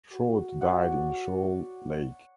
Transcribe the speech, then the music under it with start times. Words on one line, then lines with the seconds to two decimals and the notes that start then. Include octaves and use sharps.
Short died in Shoal Lake.
0.13 F#4
0.61 C#5 D5 F#5